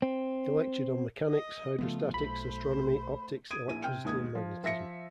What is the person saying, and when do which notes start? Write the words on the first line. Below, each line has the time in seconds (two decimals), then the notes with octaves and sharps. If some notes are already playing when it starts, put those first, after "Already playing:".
He lectured on mechanics, hydrostatics, astronomy, optics, electricity and magnetism.
0.02 C4
1.30 D#5
1.79 C#3 F3 A3 B3 F4
2.14 B1 A3 C5 B5
3.51 D#6 G#6 D7 D#7
3.67 A#1 E4 D#7
3.82 C3 G5 F6
4.04 D#2 G#2 D#6 G#6
4.35 F3
4.64 F3 E5 A#6 C#7